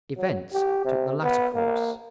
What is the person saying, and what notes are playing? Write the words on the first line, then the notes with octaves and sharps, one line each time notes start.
Events took the latter course.
F#3
G4
C3
B3
A#3